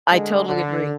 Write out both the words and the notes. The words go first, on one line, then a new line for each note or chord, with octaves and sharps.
I totally agree.
D3 G#3
D3